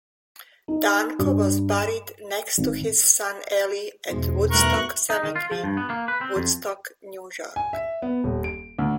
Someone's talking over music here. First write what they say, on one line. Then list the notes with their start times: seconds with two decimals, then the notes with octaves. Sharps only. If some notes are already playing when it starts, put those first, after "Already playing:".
Danko was buried next to his son Eli at Woodstock Cemetery, Woodstock, New York.
0.68 D#4
1.19 G2
1.78 E7
2.58 G#1
4.10 E2 G#2 B2 F3 G#3
4.51 G2 A3 B3 A#4 C#6 F#6
5.10 D#4
5.23 D#3
5.36 F4
5.51 F3
5.64 G2
5.77 B3
5.90 A#3
6.08 B4
6.21 C4
6.36 F2
7.56 G#5
7.73 E5
8.02 B3
8.24 D#1
8.44 D7
8.79 D2